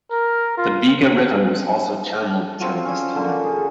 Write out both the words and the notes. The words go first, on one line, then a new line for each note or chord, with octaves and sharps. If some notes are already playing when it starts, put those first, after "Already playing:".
The Bega river was also channelled during this time.
A#4
F4
A4
C4 D4 F4 F#4
C#4 D5
D3 A#3
D3 G#4